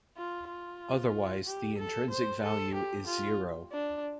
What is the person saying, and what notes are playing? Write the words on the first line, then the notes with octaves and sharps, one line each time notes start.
Otherwise the intrinsic value is zero.
F4
F4
G4
A4
C5
A4
G4
F4
D4